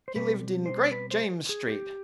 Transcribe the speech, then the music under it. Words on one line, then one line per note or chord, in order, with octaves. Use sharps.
"He lived in Great James Street."
C5
B2 G3 C4 B4
C5
B4
C5
G#4
G4